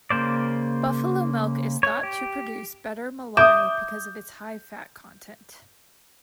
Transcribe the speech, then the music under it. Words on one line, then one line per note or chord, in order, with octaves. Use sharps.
Buffalo milk is thought to produce better malai because of its high fat content.
C#3 A#3 C5 D5
C#5
G4
E5 D6 D#6 G6